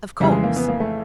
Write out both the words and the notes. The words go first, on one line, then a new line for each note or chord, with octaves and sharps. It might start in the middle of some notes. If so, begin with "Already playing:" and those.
"Of course!"
F2 C#3 E3 G3
G#3
A#3
B3
A#3
A3